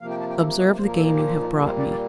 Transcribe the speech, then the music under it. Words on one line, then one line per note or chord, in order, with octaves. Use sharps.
Observe the game you have brought me!
C3 F3 A#3 F5
G5
A5
G5
A4
A#4
D#5
D5
A#2 F3 A#3 C5
A#4
A4
D#4
G4
F4
D#4
A#2 G3 A#3 F4
C5
D5
D5